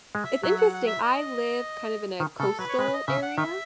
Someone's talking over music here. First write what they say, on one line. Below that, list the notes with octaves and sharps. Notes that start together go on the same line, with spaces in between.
It's interesting, I live kind of in a coastal area,
G#3
E5
F#3 E5
F#5
F#5
E5
D#5
D#3
C#3 A4
F#3 B4
C#5
G#3 B4
D#5
C#3 E5
F#5
D#3 E5